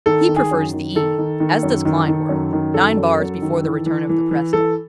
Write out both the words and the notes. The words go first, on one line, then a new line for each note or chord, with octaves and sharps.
He prefers the E--as does Klindworth--nine bars before the return of the presto.
D#3 A4
D#3
G#4
F#2
D#3
D#3 A4
D#3
D#3
F#2
D#3
D#3
F#2
D#3
F#2 A4
F#2
F#2
D#3
E3
E3
E3
E3
E3 A4